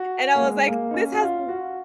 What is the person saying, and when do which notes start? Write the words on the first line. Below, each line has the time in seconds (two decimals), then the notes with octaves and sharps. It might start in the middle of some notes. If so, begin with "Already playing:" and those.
and I was like, "This has b
Already playing: F#4
0.35 A#3
0.42 G#3
0.68 A#3
0.91 D#4
0.94 C#4
1.12 F#4
1.21 F4
1.48 F#4